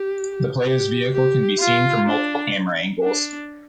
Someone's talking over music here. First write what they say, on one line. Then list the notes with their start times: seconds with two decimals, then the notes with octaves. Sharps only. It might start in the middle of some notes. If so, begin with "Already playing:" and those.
The player's vehicle can be seen from multiple camera angles.
Already playing: G4
0.64 G4
1.12 G4
1.60 F4
2.06 D4
3.02 D4